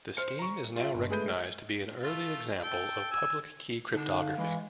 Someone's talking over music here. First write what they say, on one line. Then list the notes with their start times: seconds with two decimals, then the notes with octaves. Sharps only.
The scheme is now recognized to be an early example of public key cryptography.
0.17 C5 F6 C#7
0.39 A#5 C#6
0.76 F4 E5 D7
0.94 G1
1.09 G#3 A3 G#4 B4 G6 D#7
2.03 A3 F4
2.63 A4 G5
3.11 G#5 E6
3.93 D3 D#4 A5
4.09 F5
4.38 E3 G#3